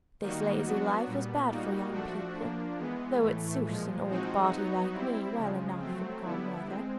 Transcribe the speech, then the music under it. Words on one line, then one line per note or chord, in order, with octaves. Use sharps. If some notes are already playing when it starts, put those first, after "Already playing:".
This lazy life is bad for young people, though it suits an old body like me well enough in calm weather.
D#3 G3 A#3 D#4 F#4
F#3 B3 D4 F#4
A#2 G3 B3
A#2 G3 A#3 D#4 F#4
F3 A3 D4 F#4
F3 A#3 D4
E3 G#3 B3
A2 E3 A3
A#2 F3 G#3
F3 G#3 C4 D#4 F#4
F#3 B3 D#4 F#4
G3 C4 E4
C#3 F3 G#3
F#3 A3 C4
D3 G3 B3 E4
G#3 C4